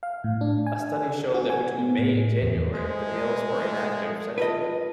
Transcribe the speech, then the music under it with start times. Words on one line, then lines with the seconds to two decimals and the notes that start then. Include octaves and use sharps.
A study showed that between May and January, the males were inactive sexually.
0.03 F5
0.24 A2
0.41 D4
0.67 G#5
1.34 F#4
1.50 G#5
1.78 B3
1.99 A2
2.42 E2
2.75 G#3 A3 C5
4.38 F4 B4 D#5 A5